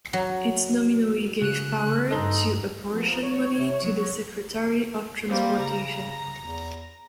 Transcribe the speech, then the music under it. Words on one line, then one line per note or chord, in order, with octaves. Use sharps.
It nominally gave power to apportion money to the Secretary of Transportation.
F#3
C#3 F#6
G2 D#4 A4 D#5 C6
F3 B3 A#4
C#5
C3
F#3
G3 A#3 C4
C#3 A#5
E2